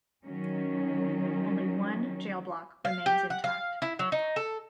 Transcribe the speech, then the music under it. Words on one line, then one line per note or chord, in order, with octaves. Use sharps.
Only one jail block remains intact.
D#3 F#3 C#4
F5
G4
F#5
F5
E4
F#3
D#4
A4